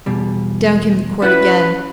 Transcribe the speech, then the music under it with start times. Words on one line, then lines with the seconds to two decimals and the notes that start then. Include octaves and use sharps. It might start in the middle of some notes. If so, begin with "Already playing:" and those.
Down came the quirt again.
0.06 E2 B2 G3
1.22 C#4 E4 F#4 B4